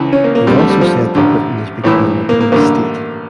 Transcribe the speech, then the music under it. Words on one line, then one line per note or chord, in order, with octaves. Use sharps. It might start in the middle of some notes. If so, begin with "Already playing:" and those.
He also said that Britain is becoming a police state.
Already playing: C#2 C#3 E3 E4
C#4
A#3
A#3
F2 D3 G3
A3
G3
F3
A1 G2 D3
A#1 A2 E3
A#3
A#3
A1 G2 D3 A#3